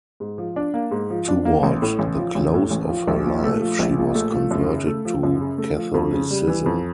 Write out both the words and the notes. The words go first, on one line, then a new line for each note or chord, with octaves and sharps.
Toward the close of her life she was converted to Catholicism.
G#2
F3
D4
A#3
G#2
F3
D4
A#3
A1
A2
A1
F3
A1
A2
A1
F3
A#1
A#2
A3
F3
A#1
A#2
A3
F3
F#2
C#3
A3
F3
F#2
C#3
A3
F3
F2
C#3
G3
E3
F2